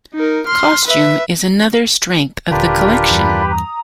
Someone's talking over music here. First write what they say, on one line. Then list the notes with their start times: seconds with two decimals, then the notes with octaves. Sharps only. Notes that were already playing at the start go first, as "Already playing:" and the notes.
Costume is another strength of the collection.
0.15 D#4 A#4
0.47 C6 F6
0.85 B4 E5
2.51 D#1 D3 D4 F4 G4 A#4 B4
3.11 E2 G2 B5
3.49 A#5 D#6